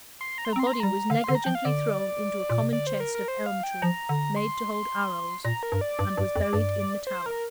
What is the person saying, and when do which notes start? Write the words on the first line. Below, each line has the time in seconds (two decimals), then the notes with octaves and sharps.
Her body was negligently thrown into a common chest of elm-tree, made to hold arrows, and was buried in the Tower.
0.21 C6
0.38 A#5
0.45 C6
0.53 A#5
0.56 C4
0.59 C6
0.67 A#5
0.73 C6
0.80 G3 A#5
1.10 D3 F5
1.24 D3 C6
1.35 A#5
1.44 F3 G5
1.55 F5
1.65 D3 D5
2.50 A#2
2.62 C3
2.73 D3 D5
2.87 C5
3.00 A#4
3.15 A#4
3.28 C5
3.46 F5
3.63 G5
3.82 F3 A#5
4.09 D3
4.36 C6
5.45 A#2 A#5
5.63 A#4
5.72 G2
5.81 D5
5.99 G2
6.17 G2
6.36 F2
6.53 G2
7.07 C5
7.26 A#4